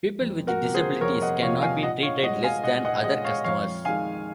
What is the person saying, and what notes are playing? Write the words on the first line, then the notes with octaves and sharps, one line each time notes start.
People with disabilities can not be treated less than other customers.
F2
F#4 A#4
C3 F3 A#3
G#4 C5
F2 A#4 C#5
D#5 F#5
C3 F3 A#3 C#5 F5
F5 G#5
A#2 D#5 F#5
C#5 F5
G#3 D#5 F#5
F5 G#5
A#2 D#5 F#5
D#5 F#5
G#3 D#5 F#5
C#5 F5
F2 C#5 F5
D#3 G#3 F5 G#5